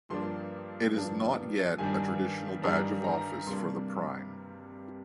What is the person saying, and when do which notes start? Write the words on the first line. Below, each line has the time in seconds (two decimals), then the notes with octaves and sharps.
It is not yet a traditional badge of office for the Prime.
0.10 G2 F3 A#3 D4 C6
0.95 G2 F3 A#3 D4
1.78 G2 D#3 G3 D4 G#5
2.62 G2 D#3 G3 D4 A#5
3.04 A#5
3.47 C3 G3 A#3 D4 C6